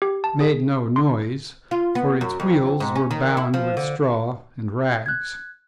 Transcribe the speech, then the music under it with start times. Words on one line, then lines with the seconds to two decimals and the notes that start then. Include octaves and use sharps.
It made no noise, for its wheels were bound with straw and rags.
0.02 G4
0.24 A5
0.40 G#4
0.96 C6
1.71 F4
1.95 B3
2.21 F#2
2.40 F2
2.80 G#2
2.96 C#4
3.11 D#3
3.37 E4
3.54 F3
3.77 D3
5.06 F#6 G#6